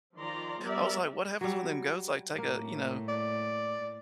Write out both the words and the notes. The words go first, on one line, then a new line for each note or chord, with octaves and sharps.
I was like, "What happens when them goats, like, take a you know,
D#3 F3 D5 A#5 C6
G3 B3 A#4 D5 E5
F#3 G3
A2 A#3
D5